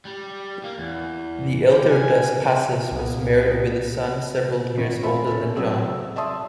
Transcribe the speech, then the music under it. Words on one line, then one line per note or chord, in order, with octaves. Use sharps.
The elder Dos Passos was married with a son several years older than John.
G3
A#3
E2
G4
G#5
C3
C2 A#2 A#3 B3
G#1
A3 F4 A4 E5 B5
C#4 A4
F#3 C4 G#4 E6
D5 E5 A5 C6 D#6 E6